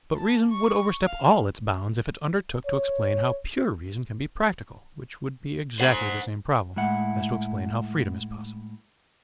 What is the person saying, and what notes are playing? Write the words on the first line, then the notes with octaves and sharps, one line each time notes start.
But reason would overstep all its bounds if it undertook to explain how pure reason can be practical, which would be exactly the same problem as to explain how freedom is possible.
A5
C#6
F5
C#5
C5 F#5
A2 G#3 E4 F#5